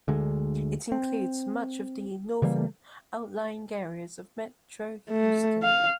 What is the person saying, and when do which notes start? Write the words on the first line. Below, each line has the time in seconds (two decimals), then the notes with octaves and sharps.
It includes much of the northern outlying areas of metro Houston.
0.08 D2 D3 G#3
0.92 C4
2.42 C#3 E3 G3 A#3
5.10 A3
5.63 F5